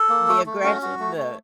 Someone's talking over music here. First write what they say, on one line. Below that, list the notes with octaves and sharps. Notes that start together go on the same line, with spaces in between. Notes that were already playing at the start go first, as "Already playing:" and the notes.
The aggression the
Already playing: A4
A#3
A3
A3
C#4 F#4
F#4
A3
A3